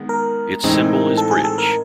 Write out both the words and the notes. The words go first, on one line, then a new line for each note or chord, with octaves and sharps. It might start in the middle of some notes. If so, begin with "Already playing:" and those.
Its symbol is bridge.
Already playing: D#3 G#3 B3
A#4
A2 E3 G#3 C4 D#4
A4
G#4
A4
A#4